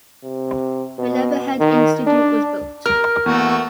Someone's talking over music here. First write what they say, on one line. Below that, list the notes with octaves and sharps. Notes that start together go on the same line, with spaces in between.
The Letherhead Institute was built.
C3
B2
D#3
D4
A#4 F6
E2 A3 A#3 F#4